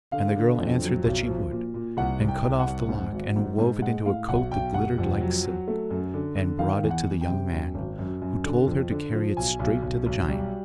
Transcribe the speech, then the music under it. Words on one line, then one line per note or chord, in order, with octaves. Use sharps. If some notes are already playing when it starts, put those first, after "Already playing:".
And the girl answered that she would, and cut off the lock, and wove it into a coat that glittered like silk, and brought it to the young man, who told her to carry it straight to the giant.
D3 F5
D3
F2
F#3
B1
F3
A#2
A#2
C2 F#5
C2
G5
C2
F#5
C2
G#2
G#1
G#2
G#2
G#3 F#5
A2 F5
B1 F#5
B1 G5
F1 F#5
F2
F#3
F#3
A3
F#2
D3
D3
D#3 F5
E2
F#5
E2
G5
C3
F#2
G#1
F#2
F#2
D3
F2
D3
F3
B1 G#5
B1
B1
B1
G3